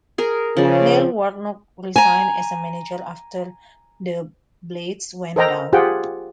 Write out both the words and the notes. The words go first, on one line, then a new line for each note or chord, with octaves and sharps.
Neil Warnock resigned as manager after the Blades went down.
G#4 A#4
C#3 F3 D5
G#5 A#5
A4 A#4 C5 D#5 G5 A#5
F4 G4 G#4 C5 F#5 G5